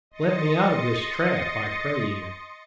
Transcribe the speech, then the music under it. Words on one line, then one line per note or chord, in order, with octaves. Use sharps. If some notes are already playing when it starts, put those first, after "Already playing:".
Let me out of this trap, I pray you.
D#5 C6 D#6 A6 A#6 C#7